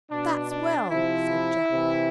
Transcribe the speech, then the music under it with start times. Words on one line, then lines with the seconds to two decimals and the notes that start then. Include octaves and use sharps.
"That's well," said Jack.
0.10 B2 D4
0.50 D4
0.90 C3 F3 E4
1.69 C3 E3